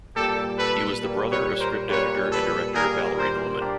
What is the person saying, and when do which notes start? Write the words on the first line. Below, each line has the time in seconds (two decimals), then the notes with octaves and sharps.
He was the brother of script editor and director Valerie Norman.
0.16 A#2 G3 A#3 G4 A4
0.59 A4 B4
1.03 A#2 G3 A#3
1.31 B4 C#5
1.60 A#4 C5
1.89 A#2 G3 A#3 B4 C#5
2.32 A4 B4
2.75 A#2 G3 A#3 G#4 A#4
3.18 A#4 C5
3.62 A#3 D4 G4 A#4 D5